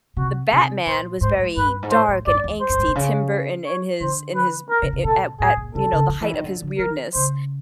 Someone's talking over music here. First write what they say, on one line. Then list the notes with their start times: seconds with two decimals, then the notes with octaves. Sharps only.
the Batman was very dark and angsty, Tim Burton in his in his i i at at, you know, the height of his weirdness,
0.17 C3 F#4
0.51 C3 G#4
0.86 A#2 C5
1.21 G#2 C5
1.39 G#2
1.57 G2 B4
1.83 G#2
1.91 A2 C5
2.08 A2
2.26 G2 D5
2.44 E2
2.61 C5
2.69 F#2
2.78 G2
2.88 B2
2.95 C#3
3.66 C#5
4.00 D3 C5
4.35 B4
4.70 A#4
4.82 C3
4.93 C3
5.05 B2 A4
5.40 A2 G#4
5.57 A#2
5.75 C3 A4
5.93 C#3
6.09 D#3
6.22 E3
6.33 D#3
6.44 D3
6.62 D3
6.79 D#3 A#4
7.14 C#3 C5